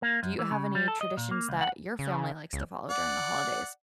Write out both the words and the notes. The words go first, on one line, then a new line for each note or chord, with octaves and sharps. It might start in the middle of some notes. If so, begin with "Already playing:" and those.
do you have any traditions that your family likes to follow during the holidays?
A#3
F#2
E3
C#3
G3
A4
D#5
A#2
A#3
C#2
F#5
C#3
C#2
D5 F#5